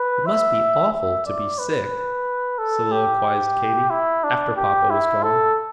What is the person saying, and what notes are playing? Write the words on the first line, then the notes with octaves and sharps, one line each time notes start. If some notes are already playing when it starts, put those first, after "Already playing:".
"It must be awful to be sick," soliloquized Katy, after Papa was gone.
Already playing: B4
E5
E5
D5
B4
A4
G4
E4
D4
G4
E4
A4